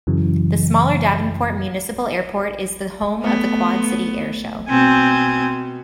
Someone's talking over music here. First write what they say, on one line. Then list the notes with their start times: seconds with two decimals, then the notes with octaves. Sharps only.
The smaller Davenport Municipal Airport is the home of the Quad City Air Show.
0.07 F#2 C#3 E3 F#3
3.21 A3 B3
4.69 B2 C4 G#5